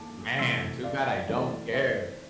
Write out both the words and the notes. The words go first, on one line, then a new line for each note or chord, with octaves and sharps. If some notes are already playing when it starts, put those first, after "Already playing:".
Man, too bad I don't care.
Already playing: E3 A#3 A5 D6
C3 E3 A3 C4 C6 E6
D5 F5
D5 F5
E3 A3 C4 A#4 D5
C5 E5